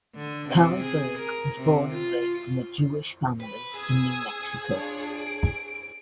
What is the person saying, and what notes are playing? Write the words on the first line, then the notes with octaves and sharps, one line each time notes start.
Carl Berg was born and raised in a Jewish family in New Mexico.
D3
C3
G#4
A#4
C3
F4
B4
G#4 D#6 E6 G#6
D4 F4 C#5
D7